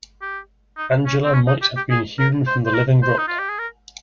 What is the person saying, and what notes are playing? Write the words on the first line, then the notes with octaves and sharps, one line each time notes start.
Angela might have been hewn from the living rock.
G4
D#4
C#4
C4
C#4
D#4
G4
G4
G#4
A#4
C5
C5
A#4
C5
D#4
F4
G4
G#4
A#4